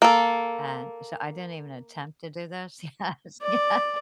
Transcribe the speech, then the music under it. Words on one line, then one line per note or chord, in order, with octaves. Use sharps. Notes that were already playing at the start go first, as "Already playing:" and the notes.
And so I didn't even attempt to do this. Yes. Yeah
A#3 A4
D5